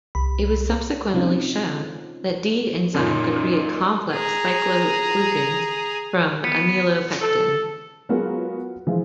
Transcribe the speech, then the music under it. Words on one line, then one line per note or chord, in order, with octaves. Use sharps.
It was subsequently shown that D-enzyme could create complex cycloglucans from amylopectin.
C2 B5
C3 C4 C#4 D#4 F4
F#2 A#2 D#4
G#4 A#5
B3
A4
F#3 G#3 B3 F4 F#4 A#4
E3 F3 G#3